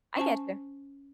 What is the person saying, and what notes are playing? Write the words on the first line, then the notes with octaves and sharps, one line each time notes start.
I getcha.
C#4 C5 G#5 A5